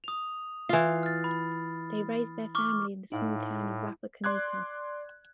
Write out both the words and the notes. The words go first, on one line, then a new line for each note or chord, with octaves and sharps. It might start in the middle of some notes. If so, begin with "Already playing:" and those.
They raised their family in the small town of Wapakoneta.
D#6 F7
E3 F4 C7
F6 A6
B5
C#6 D6 F6
A2 D#4 F5
D5 C6 D6 F#6 G#6